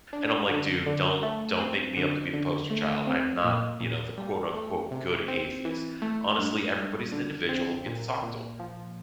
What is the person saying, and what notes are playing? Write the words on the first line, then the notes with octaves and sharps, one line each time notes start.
and I'm like, "Dude, don't don't make me up to be the poster child; I'm not, you know, the quote unquote 'good atheist.'" Honestly, everybody's an individual, get to talk to 'em.
D4
D3
D3
A3
C4
D3
D3
A3
C4
A#2
A#2
G3
A3
C3
C4
E3
A3
G2
G2
D3
C4
A#2
A#2
F3